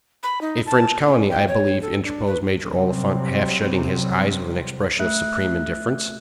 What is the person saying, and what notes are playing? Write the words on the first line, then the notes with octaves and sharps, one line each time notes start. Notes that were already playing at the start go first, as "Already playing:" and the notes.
"A French colony, I believe," interposed Major Oliphant, half shutting his eyes with an expression of supreme indifference.
B5
D#4
A5
C#4
G5
C#5
A4
D4
B4
C3 F#3 G3 C4
A3 E5 F#6